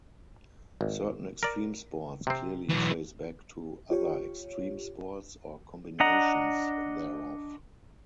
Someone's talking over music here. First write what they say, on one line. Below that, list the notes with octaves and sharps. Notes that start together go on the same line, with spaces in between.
Certain extreme sports clearly trace back to other extreme sports, or combinations thereof.
G#1
A#4 D5
C3 C4
B1 E3
F4 G4 C#5
D4 D#5 F#5 A#5